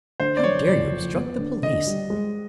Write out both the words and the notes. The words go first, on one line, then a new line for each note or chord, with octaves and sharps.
How dare you obstruct the Police?
D3 C5
D5
F#3 C#5
F#1 D5
F2
B3
D3
D3 D#5
G3
G#3